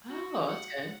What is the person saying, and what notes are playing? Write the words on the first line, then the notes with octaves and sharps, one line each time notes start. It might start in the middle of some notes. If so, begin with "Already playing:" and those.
Oh, that's good.
F#4
F#5